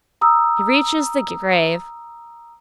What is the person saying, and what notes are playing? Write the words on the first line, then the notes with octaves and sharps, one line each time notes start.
He reaches the grave.
A#5 D#6 E6